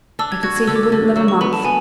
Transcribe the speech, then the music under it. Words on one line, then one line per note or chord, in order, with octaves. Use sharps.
I could see he wouldn't live a month.
D4 E6
G#6
F#4 G#6
G#6
D3 E6
D6
E6
D3
F#3 E6
C#6
B3 B5
A5
B3 G#5